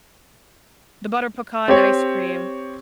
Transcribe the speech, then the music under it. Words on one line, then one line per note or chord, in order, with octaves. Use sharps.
the butter pecan ice cream.
C4 G4 C#5